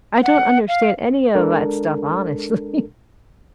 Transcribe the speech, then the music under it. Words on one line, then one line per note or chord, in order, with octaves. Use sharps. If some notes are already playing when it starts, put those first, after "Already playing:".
I don't understand any of that stuff, honestly.
F#5
F5
G#3 D4 A4 A#4